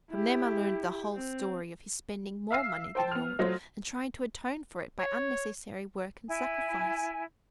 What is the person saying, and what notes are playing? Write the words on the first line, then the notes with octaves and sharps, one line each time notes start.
From them I learned the whole story of his spending more money than he ought and trying to atone for it by unnecessary work and sacrifice.
E4 G4
C4
E5 F5 E6 C7
C5 G5 A5
B3 F6
F#3 A3 F4 C5 D#5
C#5
E4 G#5